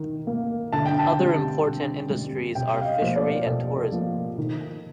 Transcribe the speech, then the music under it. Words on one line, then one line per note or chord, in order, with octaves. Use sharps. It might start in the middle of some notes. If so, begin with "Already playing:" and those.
Other important industries are fishery and tourism.
Already playing: D#3
A#3
D3 A5
G5
A5
G3 C4
D3
G3 C4
C3 G5
F5
D#5
F3 A#3 C5
D5
C3 A4
F3 A#3
D#3